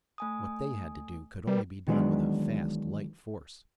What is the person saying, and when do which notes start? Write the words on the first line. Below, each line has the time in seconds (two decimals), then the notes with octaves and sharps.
What they had to do could only be done with a fast, light force.
0.18 A3 G#5 D#6
1.47 G3 A#4 B4 D5
1.87 D#3 E3 F#3 G#3 B3 D4